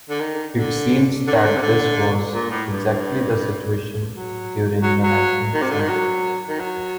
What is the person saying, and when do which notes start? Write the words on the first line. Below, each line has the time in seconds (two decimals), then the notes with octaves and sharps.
It seems that this was exactly the situation during the nineteenth century.
0.10 D3
0.20 D#3
0.56 D3
1.27 D3
1.34 D#3
1.43 D3
1.57 C3
1.62 D3
2.34 A#2
2.51 A2
2.69 G2
4.11 F#3
4.83 F#3
5.03 F#3
5.54 D#3
5.62 C3
5.71 D3
5.80 D#3
5.89 F#3
6.49 D#3
6.59 F#3